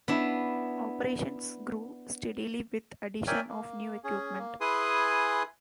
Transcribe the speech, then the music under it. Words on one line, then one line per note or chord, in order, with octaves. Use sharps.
Operations grew steadily with addition of new equipment.
B3 D4 E4
A#4 C#5 D5 E5 G5 G#5
A#3
C#4 G#4
A#3
E4 G#4 B4 G#5 C6 D#6